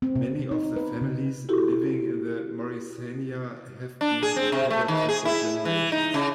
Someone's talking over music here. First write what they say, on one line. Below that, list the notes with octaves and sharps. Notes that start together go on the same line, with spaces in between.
Many of the families living in Morrisania have been in poverty for generations.
C4
C3
D#4
B4
C#3
E4 F#4 G4 A4
D4
G#4
C4
C3
A3
D#3
G#4
E4
E3
D#4
C#3